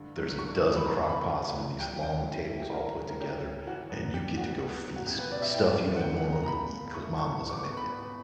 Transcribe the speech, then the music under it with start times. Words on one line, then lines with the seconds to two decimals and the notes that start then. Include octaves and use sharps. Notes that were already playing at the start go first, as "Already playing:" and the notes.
There's a dozen crock pots on these long tables all put together, and you get to go feast, stuff you don't normally eat 'cause mom doesn't make it.
Already playing: G2 D3
0.16 F#3
0.39 D3 C#6
0.63 D3 C#6
0.76 B5
0.86 E2 A#5
1.09 C#3 B5
1.33 C#3
1.56 E3
1.79 G3 G5
2.03 C#4 G5
2.26 E4
2.49 E4
2.62 G4
2.73 C#4 A#4
2.97 C#4
3.10 A#4
3.20 C#4 G4
3.43 C#4
3.66 E3 F#4
3.90 F#2
4.14 G3 G4
4.37 E3 F#4
4.61 B3
4.84 F#3
4.96 F#4
5.07 C#2 G4
5.19 B4
5.30 B2 D5
5.42 E5
5.54 E4 G5
5.78 E4
5.96 F#5
6.00 A#3 G5
6.17 F#5
6.24 E2
6.32 A#5
6.44 A#5
6.48 E2 B5
6.71 A#3
6.94 E4 C#6
7.17 E4 C#6
7.41 G3
7.49 C#6
7.53 D6
7.64 B3 C#6
7.77 B5
7.88 B3